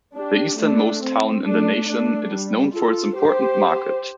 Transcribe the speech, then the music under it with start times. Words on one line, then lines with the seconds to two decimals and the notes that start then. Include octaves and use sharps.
The easternmost town in the nation, it is known for its important market.
0.15 D4 G4
0.59 A3 D4
1.02 C4
1.44 A3 D4
1.88 A3 D4
2.31 G3
2.74 F4 A4
3.16 G4 C5